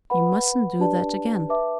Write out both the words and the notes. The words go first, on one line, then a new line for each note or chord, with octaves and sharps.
"You mustn't do that again."
B4 F#5 B5
D4 G4 B4 D5 A5
B4 E5 A5 D6